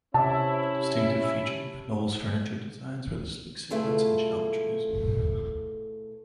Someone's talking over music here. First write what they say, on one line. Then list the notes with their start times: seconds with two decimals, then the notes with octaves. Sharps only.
The distinctive features of Knoll's furniture designs were the sleek silhouettes and geometries.
0.14 C3 C#4 E4 A5
3.70 B2 A3 E4 F4 G#4 A4